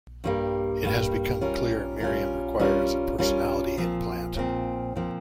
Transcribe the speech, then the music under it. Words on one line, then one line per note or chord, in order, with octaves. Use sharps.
It has become clear Miriam requires a personality implant.
G2 G3 A#3
G2 G3 A#3
G3 C#4 F4 A#4
G3 C#4 F4 A#4
G3 C#4 F4 A#4
G3 C#4 F4 A#4
A#2 F3 C4
A#2 F3 C4
A#2 F3 C4